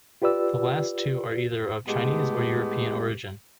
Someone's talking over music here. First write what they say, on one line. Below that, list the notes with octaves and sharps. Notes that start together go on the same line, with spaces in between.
The last two are either of Chinese or European origin.
F4 G4 B4 D5 E6
A2 G#3 B3 G4